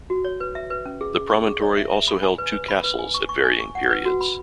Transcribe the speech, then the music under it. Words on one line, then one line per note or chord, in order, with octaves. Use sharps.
The promontory also held two castles, at varying periods.
F#4
C#5
B4
E5
B4
C#4
G#4
G#4
C#6
G#4
C#5
E5
E5
B5
G#5
B4
B4
B5
B4
G#5
C#6
C#6
G#5
C#6
F#5
B4
F#4
B5